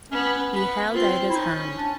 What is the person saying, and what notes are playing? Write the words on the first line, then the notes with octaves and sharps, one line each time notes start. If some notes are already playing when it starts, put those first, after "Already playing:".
He held out his hand.
B3 C#4
B3
C4 F4
E4
C#4 D#4
D4